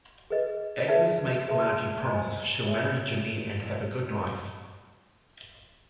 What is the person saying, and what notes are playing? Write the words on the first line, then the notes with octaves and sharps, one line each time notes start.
Agnes makes Margy promise she'll marry Jimmy and have a good life.
G#4 B4 D#5
D#4 G#4 B4 E5
G#4 B4 E5 A5 C6
C5 D#5 G#5
G#4 C#5 E5 G#5